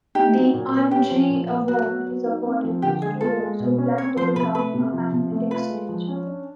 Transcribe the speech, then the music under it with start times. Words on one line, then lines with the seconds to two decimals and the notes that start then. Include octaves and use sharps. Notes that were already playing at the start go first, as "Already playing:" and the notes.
The Andree award is awarded to students who plan to become a mathematics teacher.
0.15 D#4 G4
0.35 F#3
0.54 A#2
0.72 B3
0.91 C#4 G4
1.11 F3
1.29 A#2
1.49 A#3
1.68 F#3 F#4
1.87 B3
2.06 F#3
2.26 D#4
2.45 C4
2.64 F3
2.82 D3 G4
3.02 G#3 G#4
3.21 F4 A4
3.40 G#3
3.60 B2
3.78 C#4
3.97 C4 C#5
4.16 F3 C5
4.35 C3 B4
4.55 A3 B4
4.74 C3
4.93 F3
5.12 C3
5.31 A3
5.51 F4 B4
5.70 G#3
5.89 F3
6.08 C#4
6.27 D4